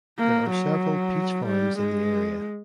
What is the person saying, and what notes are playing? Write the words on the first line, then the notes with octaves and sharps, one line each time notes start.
There are several peach farms in the area.
A#3
F#3
G3
G#3